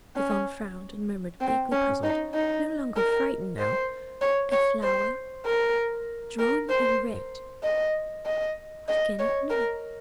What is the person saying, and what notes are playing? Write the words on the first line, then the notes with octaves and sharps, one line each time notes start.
Yvonne frowned and murmured, vaguely puzzled--no longer frightened now: "A flower ... drawn in red ... what can it mean?"
C#4
C4
C#4
D#4
D#4
A#4
C5
C#5
C#5
C5
A#4
A#4
C5
D#5
D#5
D#5
C#5
A#4